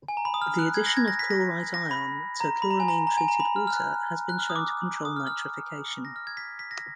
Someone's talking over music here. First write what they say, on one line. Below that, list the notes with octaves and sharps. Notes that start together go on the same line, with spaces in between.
The addition of chlorite ion to chloramine-treated water has been shown to control nitrification.
G#5
A#5
B5
D#6
F6
F#6
G#6
A#6
G#6
A#6
B6
A#6
A#6
B5
A#5
B5
A#5
G#5
A#5
A#5
G#5
A#5
B5
F6
F6
F#6
F#6
F6
D#6
D6
D#6
F6
F6
A#6
F6
G#6
B6
B6
A#6